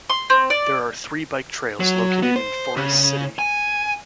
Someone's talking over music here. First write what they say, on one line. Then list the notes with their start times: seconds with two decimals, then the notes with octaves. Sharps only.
There are three bike trails located in Forest City.
0.09 C6
0.30 C4
0.50 D5
1.80 F#3
2.23 B3
2.36 C5
2.76 C#3
3.39 G#5